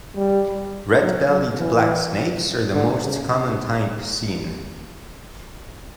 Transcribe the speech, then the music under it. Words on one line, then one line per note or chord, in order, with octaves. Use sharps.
Red-bellied Black Snakes are the most common type seen.
G3
F#3
F#3
E3
D3
C#3